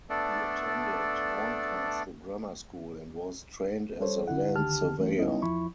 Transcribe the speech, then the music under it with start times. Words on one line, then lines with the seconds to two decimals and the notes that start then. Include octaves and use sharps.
He attended Horncastle Grammar School and was trained as a land surveyor.
0.10 A3 B3 D4 A4 D5
4.00 G3 A4 C5 C#5
4.27 D3 E4 F#5
4.55 C#2 D3 D#3 G4 A5 F6
4.99 E3 A3 C#4
5.17 G3 B3 C#4 D#4 E4 D#5
5.42 E2 F3 E4 B5 C#6